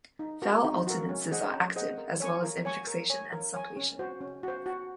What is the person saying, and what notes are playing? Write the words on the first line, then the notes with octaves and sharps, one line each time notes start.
Vowel alternances are active, as well as infixation and suppletion.
D#4
F#4 A#4
D#4
F#4 A#4
C#4
G#4 C5 D#5 F#5
C#4
G#4 C5 D#5 F#5
A#4
C#5 G#5 C#6
A#4
C#5 G#5 C#6
A#4
C#5 G#5
A#4
C#5 G#5
C#4
F#4 C5
C#4
F#4 C5
F#4